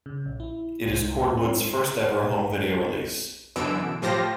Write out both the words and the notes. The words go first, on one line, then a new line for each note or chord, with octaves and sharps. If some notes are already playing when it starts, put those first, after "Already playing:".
It is Corwood's first ever home video release.
C#3
A#1
E4
C2
D#2
C4
F#2 B2 D3 E3 E6 D7
A2 F3 F4 G4 C5 A#6